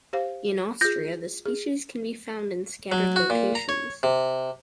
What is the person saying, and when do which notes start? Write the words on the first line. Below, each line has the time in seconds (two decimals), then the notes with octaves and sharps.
In Austria, the species can be found in scattered locations.
0.13 G4 C5 F5
0.81 F4 G#4 G6 A#6
1.46 G#4
2.92 F#3
3.16 F#4
3.30 A#2
3.55 A#5
3.69 C#5
4.03 C3